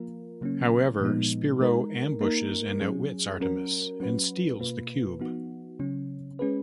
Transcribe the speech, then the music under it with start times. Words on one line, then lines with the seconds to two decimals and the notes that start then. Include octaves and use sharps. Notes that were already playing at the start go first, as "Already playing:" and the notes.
However, Spiro ambushes and outwits Artemis and steals the Cube.
Already playing: F3 A#3 F4 A#4
0.41 C#3 F#3 A#3 C#4
1.01 A#2 F3 G#3 B3 D#4
1.61 G#3 D#4 A#4
2.21 A#3 D#4 A#4
2.80 F#3 C#4 G#4
3.40 F#3 C#4 F#4 A#4
4.00 F#3 C#4 F#4 B4
4.60 B2 A#3 F4 B4
5.20 F3 B3 D#4 F#4
5.79 C#3 F#3 C#4
6.39 G#3 C#4 G#4 B4